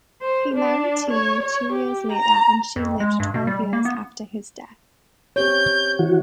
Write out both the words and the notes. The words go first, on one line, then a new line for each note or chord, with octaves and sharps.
He married Tiye two years later and she lived twelve years after his death.
C5
D4
C#5
C#5
G4
A#5
F2
G#3
G2
B2
G3
A#3
B3
C4 G4 C#5 G6
E3 F#4